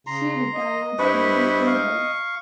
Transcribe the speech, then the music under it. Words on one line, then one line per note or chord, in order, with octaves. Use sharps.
She retired due to ill health.
C#3 A#5 C6
D#5
G2 E4 B4 C5 B5 C#6
F5 C#6